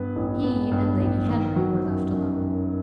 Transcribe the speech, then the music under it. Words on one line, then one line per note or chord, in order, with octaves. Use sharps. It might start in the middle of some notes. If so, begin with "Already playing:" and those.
He and Lady Henry were left alone.
Already playing: G2 B3 B4
A1
B3
G2
A1
D#3
F#3
F#2
F#2
F#2